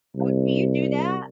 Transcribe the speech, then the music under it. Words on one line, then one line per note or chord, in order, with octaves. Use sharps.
Oh, do you do that?
C2